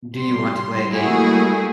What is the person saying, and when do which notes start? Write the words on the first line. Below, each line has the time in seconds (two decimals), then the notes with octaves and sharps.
Do you want to play a game.
0.17 G3 C6
0.90 G3 A3 A#3 E4 F#4 G#4